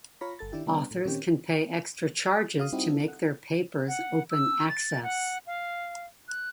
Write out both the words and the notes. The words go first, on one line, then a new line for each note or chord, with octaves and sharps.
Authors can pay extra charges to make their papers open access.
F4 C#5 A#5 B5
G1 A4 A6
D#3 D4 E4 G4
C#3 G3 B3 D4
A2
A#2 D#3 C4 C#4 G4
F#4 F5 D#6
G3 C4 D#4 E4 F#4 G4
A4
F#5
F#5
E6
A6
F#5
F5
F#6